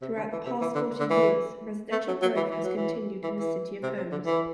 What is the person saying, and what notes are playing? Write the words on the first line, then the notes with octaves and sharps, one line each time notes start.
Throughout the past forty years, residential growth has continued in the City of Homes.
C3
D3
E3
C3
E3
D3
D3
E3
A3
F#3
F#3
E3
E3
F#3
E3
E3
E3
C3
C3
D3
E3